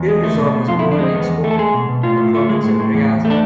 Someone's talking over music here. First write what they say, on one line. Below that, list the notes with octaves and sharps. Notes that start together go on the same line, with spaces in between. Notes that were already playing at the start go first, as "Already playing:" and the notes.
Biryuzov was born in Skopin, in the province of Ryazan.
Already playing: E2
G#3
A3
B2
B2
F2 F4
E4
F2
D4
G#3 C4
E2 B3
E2
A3
A4
G#3 G#4
B2
B2
A2 F4
A2
A3
G#3
A2
A2
E2
E2
A3
D4